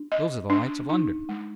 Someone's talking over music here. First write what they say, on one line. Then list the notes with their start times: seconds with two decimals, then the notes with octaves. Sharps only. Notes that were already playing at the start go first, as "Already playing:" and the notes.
Those are the lights of London.'
Already playing: D4
0.12 D#5
0.50 D4
0.89 D#4
1.29 G#3